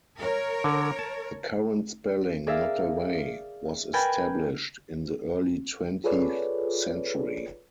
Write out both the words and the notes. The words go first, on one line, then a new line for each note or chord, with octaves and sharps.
The current spelling "Nottaway" was established in the early twentieth century.
A#4 C#5
D3
A5
G#4 A#4 D5 E5 F5
A#4 B4 G5 G#5 B5 A6
F4 G#4 A4 B4 C#5 D5